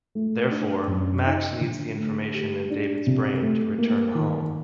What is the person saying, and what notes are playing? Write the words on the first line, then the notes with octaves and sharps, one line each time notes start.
Therefore, Max needs the information in David's brain to return home.
A3
D4
F#2
D#4
D3
A3
G4
D4
C3
A3
A#3
D#3